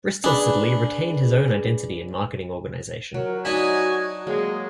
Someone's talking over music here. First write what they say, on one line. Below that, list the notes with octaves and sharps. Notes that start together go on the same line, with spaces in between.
Bristol Siddeley retained its own identity and marketing organization.
D4 G#4 B4
F#3 A#4
D4 D#4 F#4 D#5 G#5 B5
F#3 G#3 A#3 G#4